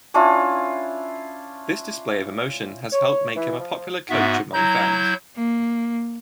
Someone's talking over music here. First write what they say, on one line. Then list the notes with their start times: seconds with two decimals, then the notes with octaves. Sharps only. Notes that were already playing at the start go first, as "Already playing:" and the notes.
This display of emotion has helped make him a popular coach among fans.
0.14 C#4 D4 E4 F4
2.92 C#5
3.36 E3
3.59 F3
4.10 G#2 B3 F#4 E5
4.54 F#3 E4 A#5 G6
5.36 A#3